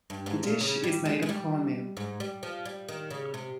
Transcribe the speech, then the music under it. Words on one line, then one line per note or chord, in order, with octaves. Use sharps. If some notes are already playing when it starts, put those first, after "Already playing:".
The dish is made of cornmeal.
G2
G#2
A#2
C#3
G3
G#3
G#3
G3
G#2
G3
F3
G3
D#3
C#3
C3